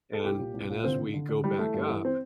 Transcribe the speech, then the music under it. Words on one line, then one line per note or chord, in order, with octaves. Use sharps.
and and as we go back up,
A4
C2 G4
A#2
C2
A#2
D3 C4
D3
D3
D3
E3 G3
E3 A3
G2
E3
C4